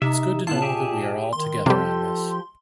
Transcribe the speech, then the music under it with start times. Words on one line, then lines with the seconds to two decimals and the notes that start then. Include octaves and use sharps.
It’s good to know that we are all together on this.
0.02 C3 D#4 E5
0.47 A#2 B3 E4 F4 A5
0.62 G4 G#4 E5
1.33 D#3 C6
1.66 C3 F3 G3 G4 A4